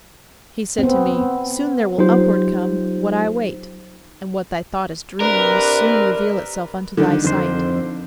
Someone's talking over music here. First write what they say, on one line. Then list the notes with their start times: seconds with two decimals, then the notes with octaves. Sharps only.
He said to me: "Soon there will upward come What I await; and what thy thought is dreaming Must soon reveal itself unto thy sight."
0.79 B3 C4
1.98 F#3 D#4 F4 G4 C5
5.20 C3 D4 A#4 B4
6.97 D3 D#3
7.25 F2 C5